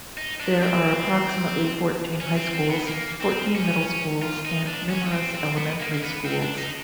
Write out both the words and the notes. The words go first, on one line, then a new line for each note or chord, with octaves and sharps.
There are approximately fourteen high schools, fourteen middle schools, and numerous elementary schools.
D#4
D4
C4
C#4
C4
C4
B3
A#3
C4
C#4
F4
D#4
D4
C#4
C#4
C4
C4
B3
A#3
A#3
B3
C4
D4
D#4